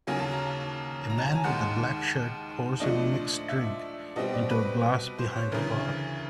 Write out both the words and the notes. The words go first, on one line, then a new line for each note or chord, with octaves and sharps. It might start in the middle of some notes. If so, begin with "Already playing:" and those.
A man with a black shirt pours a mixed drink into a glass behind a bar.
D#2 C#3 F#3 A#3 C#4 G#5
A5
A#5
A#5
A5
A#5
G#5
D#2 D#3 G#3 F#5
A#2 F3 A3 D4 D#5
E5
B2 G3 C4 D#5
D5
B4
C5
C#5
D2 C#3 E3 A#4